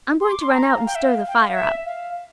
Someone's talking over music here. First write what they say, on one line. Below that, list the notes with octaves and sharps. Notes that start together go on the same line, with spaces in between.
I'm going to run out and stir the fire up.
C6
D6
C6
A5
A#5
F5
G5
E5
F5
G5
F5
E5
F5